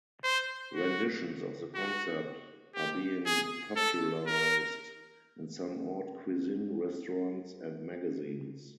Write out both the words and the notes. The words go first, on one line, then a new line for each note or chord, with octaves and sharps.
Renditions of the concept are being popularized in some haute cuisine restaurants and magazines.
C5
F#4
F#4
G4
G#4
A4
A#4